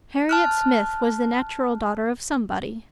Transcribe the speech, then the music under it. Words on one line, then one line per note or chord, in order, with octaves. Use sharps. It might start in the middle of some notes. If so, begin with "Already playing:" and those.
Harriet Smith was the natural daughter of somebody.
A5 F6 F#6